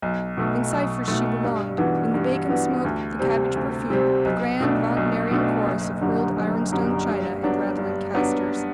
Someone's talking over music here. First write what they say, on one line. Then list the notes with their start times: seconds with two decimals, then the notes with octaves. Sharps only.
In Cypher's she belonged--in the bacon smoke, the cabbage perfume, the grand, Wagnerian chorus of hurled ironstone china and rattling casters.
0.02 B1
0.37 B2 A3
0.72 B1
1.08 B2 A3
1.44 G2
1.78 E3 B3 D4 F#4
2.14 G2
2.48 E3 B3 D4 F#4
2.85 D2
3.19 C3 G3 C4
3.55 D2
3.90 C3 G3 C4
4.25 B1
4.60 B2 A3 D4
4.97 B1
5.31 B2 A3 D4
5.67 F#1
6.01 F#2 D3 G3
6.37 F#1
6.72 F#2 D3 G3
7.08 G2
7.43 F#3 B3 D4
7.78 G2
8.14 F#3 B3 D4